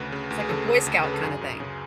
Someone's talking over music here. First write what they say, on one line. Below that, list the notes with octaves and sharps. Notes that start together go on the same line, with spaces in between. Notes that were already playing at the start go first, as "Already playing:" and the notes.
It's like a Boy Scout kinda thing.
Already playing: D2 C#3 B4
C#3
D2
G#4
C#3 A4
C#3
D2
C#3 B4
A4
F#2 G#4
F#2
C#3